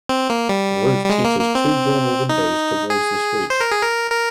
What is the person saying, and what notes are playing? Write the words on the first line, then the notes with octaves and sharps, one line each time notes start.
The roof teatures two dormer windows towards the street.
C4
A#3
G3
G3
G#3
A#3
A#3
C4
D#4
G#4
C5
A#4
G#4
A#4
A#4